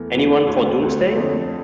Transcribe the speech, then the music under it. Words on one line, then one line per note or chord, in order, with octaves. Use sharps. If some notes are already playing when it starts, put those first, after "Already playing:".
Anyone for Doomsday?
Already playing: E2 E3 A3 A#4
E2 E3 A3
D2 D3 A3 C#5
D2 D3 A3
F2 D3 A3 D5